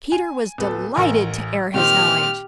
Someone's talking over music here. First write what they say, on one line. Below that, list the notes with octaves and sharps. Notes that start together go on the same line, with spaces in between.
Peter was delighted to air his knowledge.
G#5
D1 B3 A4
A1 A#4 G#5
A#2 D#3 C4 G4 F6